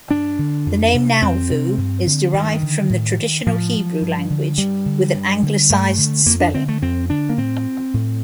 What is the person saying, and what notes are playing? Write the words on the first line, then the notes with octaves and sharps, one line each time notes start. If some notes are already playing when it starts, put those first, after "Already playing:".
The name Nauvoo is derived from the traditional Hebrew language with an anglicized spelling.
G2 D4
D3
F2
C3
F2 C4
C3
G2
D3
G2 D#3
D3
A2
A2 F3
G2
D3
G2 G3
D3
G2
D3
G2 A3
D3
F2 A#3
D4
D3 C4
A3
F2 C4
D3 D4
A#3
A2 C4
A2